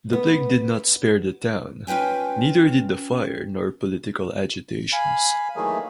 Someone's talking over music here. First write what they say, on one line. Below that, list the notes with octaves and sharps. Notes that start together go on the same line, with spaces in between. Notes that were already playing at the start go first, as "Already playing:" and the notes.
The plague did not spare the town, neither did the fire nor political agitations.
B3
C#4 F4 B4 G5 G#5
F5 G#5 B5
D#3 E3 F#3 A3 A#3 G#4